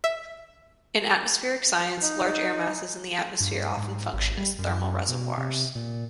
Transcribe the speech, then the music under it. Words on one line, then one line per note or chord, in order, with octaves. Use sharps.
In atmospheric science, large air masses in the atmosphere often function as thermal reservoirs.
E5
D#4
G2
G#2
G#1
G3
F#2
B2
C3
A#2